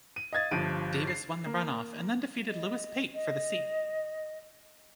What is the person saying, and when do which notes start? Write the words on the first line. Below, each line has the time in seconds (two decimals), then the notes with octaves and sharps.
Davis won the runoff and then defeated Louis Pate for the seat.
0.16 D#7
0.33 D#5 F5 G#6 A6
0.51 G1 G2 F3 D7 D#7
1.07 C7
1.46 A#3
2.49 D#5
3.14 D#5